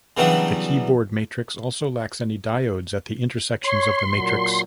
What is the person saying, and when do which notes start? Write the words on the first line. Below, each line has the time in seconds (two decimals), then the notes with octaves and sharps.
The keyboard matrix also lacks any diodes at the intersections of the matrix.
0.17 C#3 E3 F#3 G3 B3 D4
3.64 C#5 C6
4.10 A#2 F#3